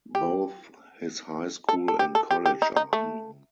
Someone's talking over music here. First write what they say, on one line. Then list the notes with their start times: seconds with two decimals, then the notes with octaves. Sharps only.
Both his high school and college are unknown.
0.15 G4
1.69 A4
1.88 A4
1.99 G4
2.15 A4
2.31 G4
2.46 G4
2.62 D#4
2.76 D#4
2.93 A3